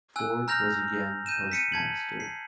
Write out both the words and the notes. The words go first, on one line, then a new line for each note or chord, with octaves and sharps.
Ford was again postmaster.
G#5 E6 F#6
A#5 F6 G6 A#6 F7
G6 D#7 E7
B6 C#7 D#7
A5 G#6 F#7
C7